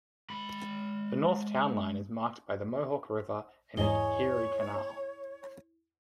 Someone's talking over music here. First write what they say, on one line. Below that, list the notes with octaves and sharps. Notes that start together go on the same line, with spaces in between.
The north town line is marked by the Mohawk River and the Erie Canal.
G#3 B5
E2 G#2 E4 G#4 C#5 D#5 G#5 G7